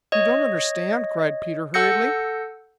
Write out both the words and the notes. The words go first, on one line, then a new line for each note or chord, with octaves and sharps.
"You don't understand," cried Peter hurriedly.
C#5 D#5
A4 F#5 E6 G6 A#6 C#7